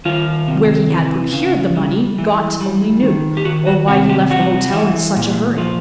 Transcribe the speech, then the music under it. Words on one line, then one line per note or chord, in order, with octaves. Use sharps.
Where he had procured the money "Gott" only knew, or why he left the hotel in such a hurry.
D#3 F4
C3
E3
C#3
G3
E3
G3
D#3
G4
D#3 F#4
F#4
C3 F#4
G4
G3 F#4
E3
A#2
F3